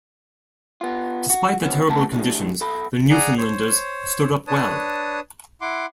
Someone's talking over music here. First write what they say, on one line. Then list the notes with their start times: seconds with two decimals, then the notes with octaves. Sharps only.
Despite the terrible conditions, the Newfoundlanders stood up well.
0.81 B3 F4
1.30 F#4
1.60 A#2 B3 C#4
1.88 E2 A3 B3 A5 A#5
2.12 A2 D3 D#3 F3 G3
2.61 B1 A4 B5
3.11 G#4 D5 F#5 G#5 A#5
3.38 C5 C#5
4.47 D4 B4 C#5 A5 D#6
5.61 E4 F#5 C6 D6